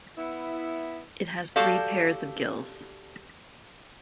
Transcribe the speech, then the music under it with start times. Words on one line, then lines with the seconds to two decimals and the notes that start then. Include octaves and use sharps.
It has three pairs of gills.
0.17 B3 E4
1.56 F#4 G4 A4 D5 F5